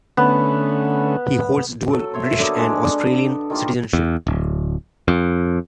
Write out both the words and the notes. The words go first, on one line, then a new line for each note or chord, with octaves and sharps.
He holds dual British and Australian citizenship.
D3 A3 B3 C#4
F#3 A4
C5 C#5 E5
D3 F#3 A#3 B3
D3 G#3 D5
A4
D#3 G3 A#3 F4
E2
D1
F2